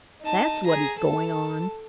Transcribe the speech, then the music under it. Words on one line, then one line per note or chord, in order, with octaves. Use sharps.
That's what is going on!
D#4 A5
G#4 A#5
A4 A5